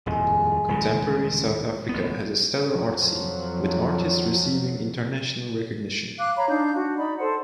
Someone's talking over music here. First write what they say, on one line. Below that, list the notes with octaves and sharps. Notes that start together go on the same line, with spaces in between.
Contemporary South Africa has a stellar art scene, with artists receiving international recognition.
D#1 F2 A2 G#3
D#1 C#2 C#3
A1 D2 B3
F2 F3 F#3
F5 D6 F#6
C#5 F5 A#5 B5
D4 D#4 F5 G6
D4 F#4
D#4 D5 B5
A4 C5 F#5